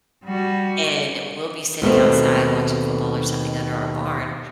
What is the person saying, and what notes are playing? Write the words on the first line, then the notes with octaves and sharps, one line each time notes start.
And we'll be sitting outside watching football or something under our barn,
G3 F#4
D#2 B2 A3 C4